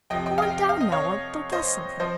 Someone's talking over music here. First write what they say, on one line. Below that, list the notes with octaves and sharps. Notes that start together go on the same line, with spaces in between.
Go on down now, or they'll guess something.
F2 C3 F3 D#5 G5
D#5 G5
F5
D#5 G5
G5
F5
D#5
C#5 F5
C5 D#5
F3 C5 D#5